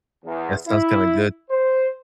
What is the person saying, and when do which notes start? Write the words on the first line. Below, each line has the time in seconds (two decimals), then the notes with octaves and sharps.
That sounds kinda good.
0.24 E2
0.67 E4
1.50 C5